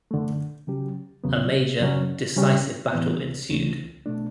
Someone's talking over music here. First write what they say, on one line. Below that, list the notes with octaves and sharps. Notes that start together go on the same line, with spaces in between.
A major, decisive battle ensued.
F#2 D3 A3
C#3 F#3 C#4 G4
E2 C#3 F#3 B3
F#2 C#3 F#3 C#4
C#3 G3 C#4 G4
A2 E3 B3
D2 C#3 E3 A3
B2 A3 D4